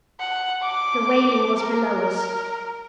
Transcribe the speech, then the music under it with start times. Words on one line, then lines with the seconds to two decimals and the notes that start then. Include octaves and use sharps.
The wailing was below us.
0.20 F#5
0.62 D6
1.59 A#4